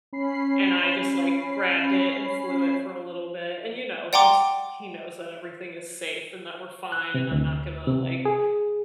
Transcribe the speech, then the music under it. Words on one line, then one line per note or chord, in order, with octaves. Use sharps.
and I just, like, grabbed it and flew it for a little bit, and you know, he's he knows that everything is safe, and that we're fine, and I'm not gonna, like,
C#4 B5 C7
D5 F#5 G5 A#5 C6 D6
F#6
C3
D2
C3
G#4